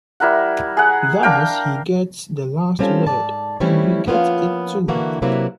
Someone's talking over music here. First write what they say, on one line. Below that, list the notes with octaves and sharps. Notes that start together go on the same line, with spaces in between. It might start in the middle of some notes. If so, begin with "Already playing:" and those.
Thus he gets the last word; and you get it too.
G3 E4 A#4 F#5
G#4 F#5
D4 A#4 F5 G5
G3 C4 C#4 F4 A4
G#2 D5 A5
E3 G3 A3 C4 C#4 E4
F3 A#3 B3 C#4 F4
D3 E3 A#3 E4 F#4
C3 F#3 A#3 E4 B4